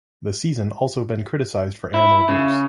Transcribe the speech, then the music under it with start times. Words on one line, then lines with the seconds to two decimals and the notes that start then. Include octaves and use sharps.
The season also been criticized for animal abuse.
1.94 E4
2.29 C#3